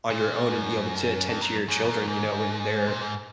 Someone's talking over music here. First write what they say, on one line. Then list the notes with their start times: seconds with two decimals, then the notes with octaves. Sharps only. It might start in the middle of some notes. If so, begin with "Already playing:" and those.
on your own and be able to attend to your children, you know, in their
0.10 A#2
0.50 F#2
1.29 F2
1.42 F#2
1.68 F#2
1.84 F2
1.88 F#2
2.08 G#2
2.87 A#2
3.00 G#2